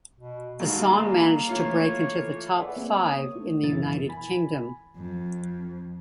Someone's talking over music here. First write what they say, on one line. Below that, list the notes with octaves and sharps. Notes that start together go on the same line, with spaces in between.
The song managed to break into the top five in the United Kingdom.
B2
G2 D#3 G#3 A#3 F#4
G#2
E3 A3 F4 C#5
G#4 B4 D5 E5 F#5
A#3 C4
C#5 D#6
A3
F#2 B2 E3 E4 A#4 A6
G#5 B5
F2